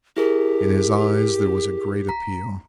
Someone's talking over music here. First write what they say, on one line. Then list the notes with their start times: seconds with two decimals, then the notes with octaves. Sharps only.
In his eyes there was a great appeal.
0.17 E4 G4 G#4 A#4
2.09 A#5 B6